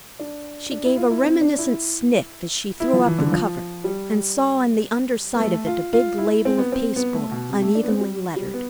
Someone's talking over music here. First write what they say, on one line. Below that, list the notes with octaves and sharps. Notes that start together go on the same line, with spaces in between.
She gave a reminiscent sniff as she threw up the cover and saw on the under side of it a big label of pasteboard unevenly lettered.
D4
D4
E4
F4
E4
C4
D4
E4
E4
F3
E3
D3
E3
F3
G3
B3
A3
F4
F4
E4
C4
B3
C4
B3
A3
B2
C3
A3
D4
B3
C4
G3
G3
B3